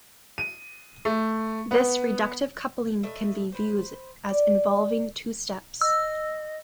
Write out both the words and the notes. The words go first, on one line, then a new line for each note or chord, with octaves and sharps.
This reductive coupling can be viewed as involving two steps.
D#7
A3
B3
A3 B4 D#5 E5
B4 C5
D5
D#5 E6